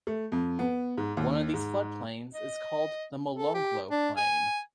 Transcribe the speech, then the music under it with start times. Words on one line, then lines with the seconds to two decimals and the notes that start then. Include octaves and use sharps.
One of these floodplains is called the Molonglo Plain.
0.07 A3
0.32 F2
0.59 B3
0.98 G#2
1.17 D#2
1.54 G#2
2.34 D#5
3.37 A4
3.54 G4
3.91 D4
4.17 G#5